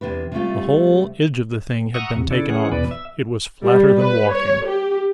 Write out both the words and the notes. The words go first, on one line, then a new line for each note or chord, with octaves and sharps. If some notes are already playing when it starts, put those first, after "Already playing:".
The whole edge of the thing had been taken off--it was flatter than walking.
E2 C3 D4 B4
C3 G3 A3 F4
E5 F#5 A#5 C#6 D#6
E2 C3
C#3 D4 E4 A4
E3 C#4 G#4 F#5
E2 B2 B4 D5
E5
G3
B4
C#5
G4